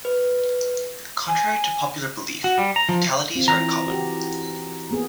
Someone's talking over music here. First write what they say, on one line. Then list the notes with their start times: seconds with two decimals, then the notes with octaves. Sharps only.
Contrary to popular belief, fatalities are uncommon.
0.05 B4
1.28 G#5
2.44 F#4
2.58 G3
2.76 A#5
2.89 F3
3.35 C4 F4
3.48 E3 A#5
3.87 F#4 G4
4.91 A#3 B3 G#4